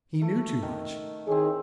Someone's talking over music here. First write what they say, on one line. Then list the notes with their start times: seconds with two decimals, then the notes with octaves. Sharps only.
He knew too much.
0.22 A3
0.62 D#3
1.27 A2 D#3 C4 G#4